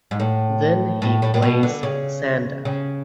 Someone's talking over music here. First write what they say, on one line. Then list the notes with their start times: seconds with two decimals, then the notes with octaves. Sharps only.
Then he plays Santa.
0.11 G#2
0.20 A2
1.02 A2
1.22 A2
1.34 A2
1.42 B2
1.63 D3
1.83 C#3
2.65 C#3